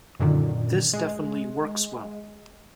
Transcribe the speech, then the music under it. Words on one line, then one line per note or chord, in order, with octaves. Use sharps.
This definitely works well.
F#2 A#2 D3 D#3
G#3